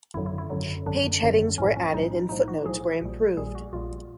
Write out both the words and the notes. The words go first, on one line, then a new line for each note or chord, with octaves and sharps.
Page headings were added and footnotes were improved.
G#1 F#2 D3 F#3 E4
E4
E4
G#1 F#2 D3 F#3
G#1 F#2 D3 F#3 D4
G#1 F#2 D3 F#3
B1 A2 F3 C#4
C#4
B1 A2 F3 D#4
B1 A2 F3 D#4
F#4
B1 A2 F3 G#4
A#1 A#2 G3
A#1 A#2 G3 G#4
F#4
A#1 A#2 G3 F4